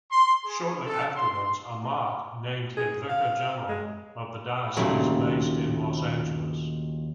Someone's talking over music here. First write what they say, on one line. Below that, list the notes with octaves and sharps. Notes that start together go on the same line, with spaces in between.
Shortly afterwards, Amat named him Vicar General of the diocese, based in Los Angeles.
C6
G#4
A4
C6
G#4
F5
G#3
D#2 A#2 C#3 F#3 A3